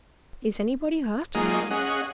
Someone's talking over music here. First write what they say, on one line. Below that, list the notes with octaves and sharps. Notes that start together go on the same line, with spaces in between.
"Is anybody hurt?"
F#3 G#3 A#3 D#4 F4 G#4
C#4 G#4 D#5 F#5